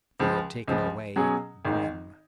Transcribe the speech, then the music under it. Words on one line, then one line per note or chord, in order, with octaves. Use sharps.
They had taken away Grimm.
C#2 C#3 F3
C#2 C#3 F3
B2 F#3 C#4 G#4
G#1 G#2 D#3